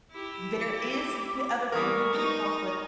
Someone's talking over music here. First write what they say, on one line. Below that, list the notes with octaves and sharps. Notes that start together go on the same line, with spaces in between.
There is th other people who could help, but
E4 G4
D6
E3 G3 A#4 C#6 D#6
D#4